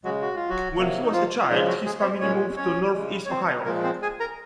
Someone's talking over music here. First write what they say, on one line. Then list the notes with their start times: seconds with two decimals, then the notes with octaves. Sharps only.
When he was a child his family moved to northeast Ohio.
0.04 C#3 F#3 G#3 F#4
0.22 F#4
0.36 F4
0.49 F#3 F#4
0.77 C3 F#3 A#3
1.03 D#4
1.13 F3 F4
1.42 F4
1.48 C#3 F3 G#3 D#4
1.66 F#3 F#4
1.85 G#3 G#4
1.99 C#5
2.02 C4 C5
2.21 A#2 G#3 C#4 C#5
2.57 C#4 C#5
2.93 C#3 G#3
3.25 C#5
3.29 C4 C5
3.65 A#2 F3 G#3 A#3 A#4
3.83 C4 C5
4.02 G#4 G#5
4.20 A#4 A#5